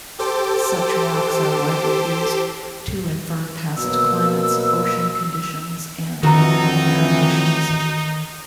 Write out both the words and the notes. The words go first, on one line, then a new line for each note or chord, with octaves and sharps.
Such rocks are widely used to infer past climates, ocean conditions, and orbital variations.
G4 A4 C5 D6
B2 F#3 A#3 E6
F2 A2 D#3 E3 D#4 F#4 A4 A#5